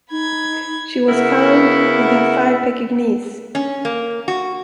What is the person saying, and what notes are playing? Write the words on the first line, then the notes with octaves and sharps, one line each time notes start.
She was found with her five Pekingese.
D#4 B5 G#6
C#3 B3 E4 A#4 E5 F#5
C#4
A#3
F#4